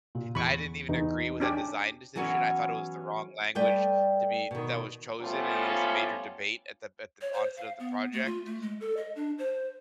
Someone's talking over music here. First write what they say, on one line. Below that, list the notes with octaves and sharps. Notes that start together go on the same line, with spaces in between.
and I didn't even agree with that design decision, I thought it was the wrong language to be that was chosen, and it was a major debate at the at the onset of the project,
A#2
E2 B5 C#6
E2 D#4 B4
C#4 D4 G4
E3 F#3 B3 C#4 F#4
G3 A3 B4 D5 G5
B2 D#3
F3 G3 A3 B3 C#4 F4
C#5
C5
F5
B3
A3
F4
A3
G#3
A4
D#5
D4
C5